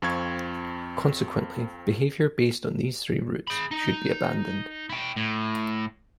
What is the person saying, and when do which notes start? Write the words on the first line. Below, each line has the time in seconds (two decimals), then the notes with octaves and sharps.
Consequently, behaviour based on these three roots should be abandoned.
0.02 F2 C4 F4 C#6 G#6
3.48 G#4 B5
3.71 D#4
4.90 E4 G5
5.16 A2